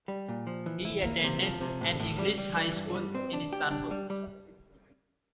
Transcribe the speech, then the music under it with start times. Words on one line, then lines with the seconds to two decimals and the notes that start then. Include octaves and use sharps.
He attended an English High School in Istanbul.
0.08 G3
0.28 A#2
0.47 F3
0.66 E3
0.85 E4
1.04 A#3
1.24 C3
1.43 F3
1.61 C3
1.81 A2
2.00 A2
2.18 G3
2.38 G3
2.57 E3
2.76 G2
2.95 G3
3.15 C4
3.33 D4
3.53 G4
3.71 D4
3.91 G3
4.10 G3